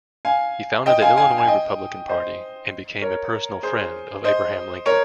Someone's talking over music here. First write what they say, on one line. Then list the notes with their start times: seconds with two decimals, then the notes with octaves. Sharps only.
He founded the Illinois Republican Party and became a personal friend of Abraham Lincoln.
0.25 F5 G#5
0.86 D#5 G5
1.02 F5 G#5
1.17 F5 G#5
1.38 G#5
1.47 D#5 G5
2.09 C5 D#5
3.02 A#4 C#5
3.63 G#4 C5
4.24 C5 D#5
4.86 A#4 C#5